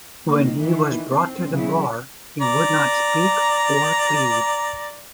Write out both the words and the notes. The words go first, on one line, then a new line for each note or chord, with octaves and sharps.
When he was brought to the bar, he would not speak or plead.
D#3 A#3
D#3 E3
C4
C#3 F#3 E4
D5 A#5